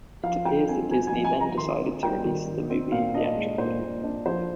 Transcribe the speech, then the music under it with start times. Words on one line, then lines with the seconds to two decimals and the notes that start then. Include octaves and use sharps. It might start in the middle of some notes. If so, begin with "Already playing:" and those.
It appears that Disney then decided to release the movie theatrically.
0.23 F3 F5
0.45 F3 G5
0.68 C4 G#5
0.91 C4 G#5
1.07 G#5
1.12 F3
1.24 G#5
1.36 F3 A#5
1.57 D#3 C6
1.81 C4
2.03 G3 G5
2.24 D#3
2.47 D#3
2.70 C4
2.91 A#2 F5
3.14 D4 D#5
3.37 G#3
3.58 A#2 C5
3.81 A#2
4.04 D4
4.26 F3 C5